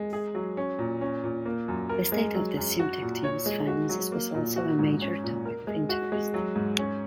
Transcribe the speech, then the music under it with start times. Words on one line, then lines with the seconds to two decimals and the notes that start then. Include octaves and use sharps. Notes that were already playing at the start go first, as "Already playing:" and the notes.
The state of the Simtek team's finances was also a major topic of interest.
Already playing: G#3
0.13 G#4
0.34 F#3
0.57 C#4
0.79 A#2
1.01 C#4
1.24 A#2
1.45 A#3
1.68 F#2
1.89 A#4
2.12 G#3
2.34 F#3
2.57 F#2
2.79 F#4
3.02 A#2
3.24 C#5
3.46 G#3
3.67 F#4
3.89 F#3
4.12 A#3
4.35 A#2
4.56 F#4
4.79 G#2
5.01 C#4
5.24 A#2
5.45 A#4
5.67 G#3
5.89 F#4
6.12 G#3
6.34 F#3
6.56 G#2
6.78 C#4